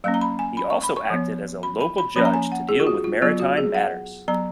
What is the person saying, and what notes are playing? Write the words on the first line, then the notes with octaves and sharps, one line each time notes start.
He also acted as a local judge to deal with maritime matters.
F#3 A#3 C#4 F5
A#5
B5
G#5
B5
C#6
B5
C#6
F3 B3
B5
B5
B5
F3 A#3 C#4 B5
A#5
G#5
F#5
G#4
F4
F#4
F4
F#3 B3 F4
F#4
G#4
F#5
F#3 B3 A#5